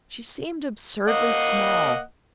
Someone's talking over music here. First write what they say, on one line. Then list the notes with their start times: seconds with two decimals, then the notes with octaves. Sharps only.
She seemed absurdly small.
1.08 A#3 D#5 F#5